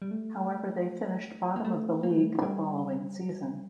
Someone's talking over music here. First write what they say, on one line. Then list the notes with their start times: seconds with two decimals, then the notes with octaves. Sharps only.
However, they finished bottom of the league the following season.
0.02 G3
0.11 A3
1.56 A#3
1.65 A3
2.03 A#3
2.11 A3
2.18 G3
2.24 A3
2.42 G3